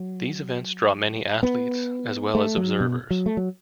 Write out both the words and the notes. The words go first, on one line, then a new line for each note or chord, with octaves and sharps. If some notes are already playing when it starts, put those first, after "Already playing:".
These events draw many athletes as well as observers.
Already playing: F#3
B3
A3
F#3
B2
F#3
A3
F#3